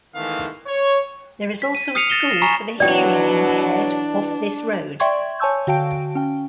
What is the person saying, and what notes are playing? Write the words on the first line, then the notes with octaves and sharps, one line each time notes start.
There is also a school for the hearing impaired off this road.
D#3 E3 G#3 A3 B3 F5
C#5
B6
D#7
D#6 F6 C7 C#7 D#7 F7
A6 A#6 E7 G7
A#6 C7 E7
G#5 A#5 B5 C#6 B6 C7
B2 E3 F#3 D4 F#4 D5 G5
D5 E5 G5 C6 C#6 G#6
C#5 G#5 A5 C#6 E6 G6
D3 F#4 F5 G5 A5 D7
C#4 G5